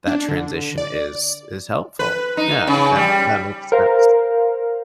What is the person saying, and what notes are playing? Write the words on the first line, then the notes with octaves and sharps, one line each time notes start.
that transition is is helpful. Yeah. That that makes sense.
D4
D3
D5
B4
D#4
C#3
G3
A#4 C5 F5